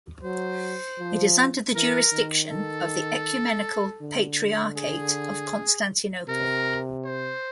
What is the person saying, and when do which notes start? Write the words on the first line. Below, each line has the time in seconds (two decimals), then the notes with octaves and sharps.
It is under the jurisdiction of the Ecumenical Patriarchate of Constantinople.
0.23 F#3 C5
0.99 F3
1.74 E3 A#4
2.12 D#3
2.50 A4
4.01 D3
4.77 G#4
6.28 C3 A#4
7.04 C5